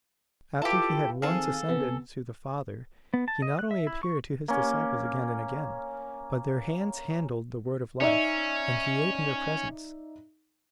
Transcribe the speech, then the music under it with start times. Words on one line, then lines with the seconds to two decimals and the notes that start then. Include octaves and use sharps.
After he had once ascended to the Father, he not only appeared to his disciples again and again, but their hands handled the word of life, and he ate in their presence.
0.62 E4 F4 G4 A4 B4
1.22 D#3 C4 G#4 A4 F5
1.69 C3 B3
3.14 B3
3.28 A5
3.42 D#5
3.59 F#6
3.71 E5
3.87 E4
4.03 C#6
4.48 A#3 C#4
8.01 C#4 D#4 D5 E5